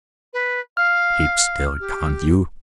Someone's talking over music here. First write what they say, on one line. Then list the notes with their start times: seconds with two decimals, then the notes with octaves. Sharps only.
"Keep still, can't you?"
0.33 B4
0.77 F5 F6
1.80 G4